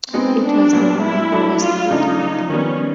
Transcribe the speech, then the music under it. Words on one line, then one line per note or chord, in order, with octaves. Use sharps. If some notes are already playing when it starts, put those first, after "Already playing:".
It was the woman who was paid, not the man.
G#3 B3 C4 D#4
D4
A#2 F#3 B3
E4
F#3 A3 D4 F#4 A4
F4
C#3 F3 A3 D4 D#4 F4
D#3 G3 B3 C#4